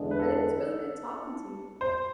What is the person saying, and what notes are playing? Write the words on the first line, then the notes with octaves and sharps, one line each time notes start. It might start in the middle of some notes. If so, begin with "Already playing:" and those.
But it was really good talking to you.
Already playing: E2 D3 G#3 D4
B4
A4
C5